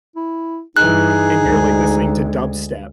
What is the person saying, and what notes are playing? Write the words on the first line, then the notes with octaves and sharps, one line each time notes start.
and you're, like, listening to dubstep
E4
G2 E3 D#4 G#4 F#6
D2 G#3